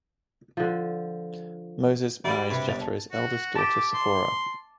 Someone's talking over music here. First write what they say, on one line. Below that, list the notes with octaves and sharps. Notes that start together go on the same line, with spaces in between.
Moses marries Jethro's eldest daughter Sephora.
D3 F3
G3 F#4 E5 B5
G2 C3 B5
G1 A6 F7
A5
F#4
G4 A5 D6
C6